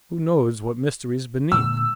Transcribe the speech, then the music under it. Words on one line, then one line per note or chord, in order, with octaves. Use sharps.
Who knows what mystery's beneath?'
A#2 D3 G#3 E6